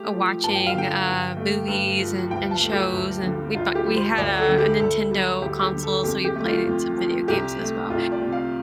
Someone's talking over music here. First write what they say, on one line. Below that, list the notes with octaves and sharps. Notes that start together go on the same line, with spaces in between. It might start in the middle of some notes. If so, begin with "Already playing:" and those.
uh, watching, uh, movies and and shows, and we'd bought we had a a Nintendo console, so we played in some video games as well.
Already playing: A3 G4
F3
G2 A5
G5
F5
D3 G5
G2
A3
G2
F3
D2 G5
A5
A3
G4
D2
D3
D2 F4
G4
G3
C5
D2 D5
A4
D3
G4
D2 A4
G3
D2 G4
G4
D3
A4
F2 G4
G4
A3
F4
F2
F3
C2 G4
A3
C2 F4
D5
C3
F5